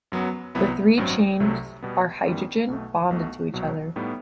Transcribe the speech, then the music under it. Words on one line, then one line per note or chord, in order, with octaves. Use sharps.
The three chains are hydrogen bonded to each other.
F#2 F#3 B3 F#4
C2 C3 F#3 B3 E4
A1 G2 F#3 C4
C2 C3 F#3 A3
B2 G3 B3
F#2 D#3 G3 B3
B1 B2 A3
B1 B2 A3
C2 B2 F#3
A2 G3 B3 D#4